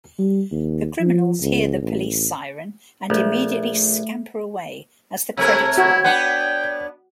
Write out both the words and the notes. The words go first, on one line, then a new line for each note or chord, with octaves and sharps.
The criminals hear the police siren and immediately scamper away as the credits roll.
G3
D#2
F3
C#2
A1
A#1 A3
C3 A3 E4 A#4 C#5
E4 F#4
B3 D4 F#5 G5